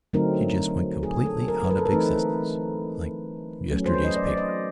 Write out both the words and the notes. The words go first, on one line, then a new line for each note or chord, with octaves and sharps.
She just went completely out of existence, like yesterday's paper.
D3 F#3 A3 C4 D#4 A#4
G#4
A4
A#4
B4
A#4
A4
A#4
E3 A3 C4 D#4 B4
F#3 A3 C#4
C5
B4
D#5
D5
D5
D#5